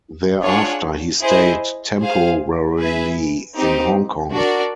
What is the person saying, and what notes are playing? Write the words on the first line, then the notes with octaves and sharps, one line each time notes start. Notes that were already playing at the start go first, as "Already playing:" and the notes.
Thereafter, he stayed temporarily in Hong Kong.
D4 F4 G#4 C#5 F#5
E4 G#4 C5 D#5
G#4 C5 F5
G#4 B4 E5 G#5
C4 D#4 G4 C5
D4 F#4 A#4 D5